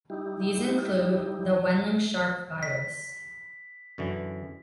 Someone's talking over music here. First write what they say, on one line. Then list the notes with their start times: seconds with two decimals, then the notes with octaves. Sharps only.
These include the Wenling shark virus.
0.10 G3 D#4 E4 G4
2.63 B6
3.98 F#2 D3 E3